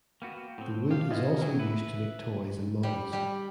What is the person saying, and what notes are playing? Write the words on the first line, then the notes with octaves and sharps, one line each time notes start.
The wood is also used to make toys and models.
A#3 B3 F#4 G5
A2 C4
G4 F5
B3 E4 F4 D#5
F#3 C4 G#5
B4 E5
G3
G3